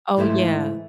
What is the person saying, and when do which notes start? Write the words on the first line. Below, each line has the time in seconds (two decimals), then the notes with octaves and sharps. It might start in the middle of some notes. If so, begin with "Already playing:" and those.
Oh, yeah,
0.17 G#2 E3 A3 C5 E5